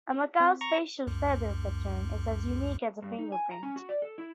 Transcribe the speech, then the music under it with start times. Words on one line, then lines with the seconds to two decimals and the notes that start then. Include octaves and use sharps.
A macaw's facial feather pattern is as unique as a fingerprint.
0.40 C4
0.61 A#5 C#6
1.07 C#2 F#2
3.02 G2
3.19 D#4
3.32 G#5
3.51 A#5
3.63 C#4
3.76 F#4
3.89 D5
4.02 A4
4.18 E4